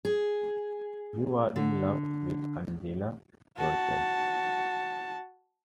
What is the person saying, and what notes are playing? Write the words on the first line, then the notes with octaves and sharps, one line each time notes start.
You're in love with Angela yourself.
G#4
D3
F#4 A5